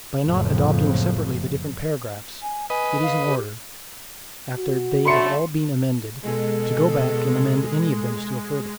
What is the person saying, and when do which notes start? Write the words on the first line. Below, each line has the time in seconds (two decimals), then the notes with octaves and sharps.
By not adopting separately the different paragraphs, it is in order, after they have all been amended, to go back and amend any of them still further.
0.24 F#1 F2 A2 F3
2.42 G#5
2.70 B4 D#5 G#5
3.03 F5
3.26 G4
4.57 F#4
5.05 D3 F#3 A3 B5 C6 C#7
6.23 B2 G#3 A4